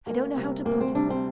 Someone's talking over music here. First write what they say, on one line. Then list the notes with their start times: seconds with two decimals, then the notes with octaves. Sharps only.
I don't know how to put it.
0.06 D2 A#3
0.36 C3 G3
0.65 D2 A#3
0.80 C4
0.95 C3 G3 D4
1.10 C4